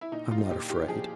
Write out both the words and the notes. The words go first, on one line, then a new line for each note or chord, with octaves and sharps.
"I'm not afraid."
E4
A#2 D#4
F4
A#2 G4
G4
F3 G#4